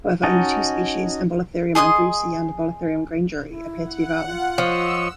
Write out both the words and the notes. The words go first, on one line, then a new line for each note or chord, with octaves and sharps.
However, only two species, "Embolotherium andrewsi" and "Embolotherium grangeri", appear to be valid.
C#4 D#4 F#4 D#5 A5
G#4 D#5 C6 D#6
E4
F#5
F4
F3 C#5 D#5 C#6 E6